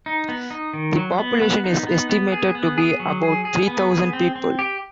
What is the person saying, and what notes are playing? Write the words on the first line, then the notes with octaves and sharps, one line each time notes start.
The population is estimated to be about three thousand people.
D#4
B3
D#4
D#3
F#3
B3
B3
D#4
B3
B3
G#4
B3
G#4
F#3
G#4
G#4
B3
G#4
C4
C4
G4